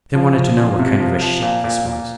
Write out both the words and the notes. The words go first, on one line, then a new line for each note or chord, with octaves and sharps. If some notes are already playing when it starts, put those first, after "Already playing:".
They wanted to know what kind of a ship this was.
F3
F3
F3
C3
F3
F3
A#2
A#2
A#2